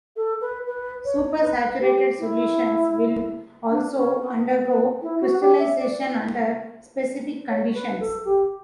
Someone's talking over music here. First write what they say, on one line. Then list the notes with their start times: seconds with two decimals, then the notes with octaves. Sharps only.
Supersaturated solutions will also undergo crystallization under specific conditions.
0.16 A4
0.41 B4
0.67 B4
1.05 C#5
1.42 B4
1.81 G4
2.19 E4
3.70 D4
3.95 C#4
4.21 B3
4.46 B3
4.64 B3
5.02 E4
5.21 F#4
5.40 G4
5.59 E5
5.79 D5
7.49 C#5
7.74 B4
8.00 A4
8.25 G4